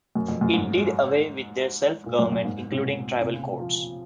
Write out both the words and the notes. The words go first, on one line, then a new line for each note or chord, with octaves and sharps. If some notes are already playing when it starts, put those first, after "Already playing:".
It did away with their self-government, including tribal courts.
F#2
F2
F#2
G#2
A#2
F#2
F#2
G#2
C3
A#2
C3
C#3
F3